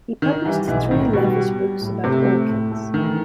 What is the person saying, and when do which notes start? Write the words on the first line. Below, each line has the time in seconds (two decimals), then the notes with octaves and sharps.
He published three lavish books about orchids.
0.22 D#3 D#4
0.45 E3 G3
0.68 B1 E3
0.91 A2 D#3
1.13 B2 G3
1.36 G3
1.59 G3
1.81 A2
2.04 C3 A3
2.26 A3
2.49 A2
2.71 A3
2.94 D#3 E3